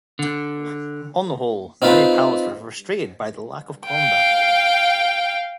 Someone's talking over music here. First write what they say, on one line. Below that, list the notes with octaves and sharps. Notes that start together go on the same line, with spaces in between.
On the whole, many pilots were frustrated by the lack of combat.
D3
C4 D#4 F4 B4
F5 G5